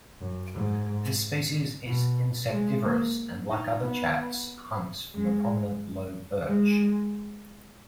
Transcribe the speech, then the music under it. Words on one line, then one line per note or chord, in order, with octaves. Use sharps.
This species is insectivorous, and like other chats hunts from a prominent low perch.
F#2
G#2
B2
G#3
A#3
D#4
B3
G#3
G#3